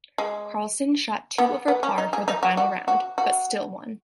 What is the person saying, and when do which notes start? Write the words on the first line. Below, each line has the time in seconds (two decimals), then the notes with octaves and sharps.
Karlsson shot two-over-par for the final round, but still won.
0.18 G#3
1.38 B3
1.68 B3
1.83 C#4
1.98 D#4
2.13 G#4
2.28 D#4
2.43 F#4
2.57 F#4
2.88 F#4
3.18 F#4